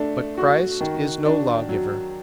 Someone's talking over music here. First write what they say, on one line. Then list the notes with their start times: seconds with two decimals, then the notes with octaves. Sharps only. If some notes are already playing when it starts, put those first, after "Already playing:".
But Christ is no law giver.
Already playing: A3 D4
0.38 F#4
0.81 D#3
1.25 D4
1.69 F#3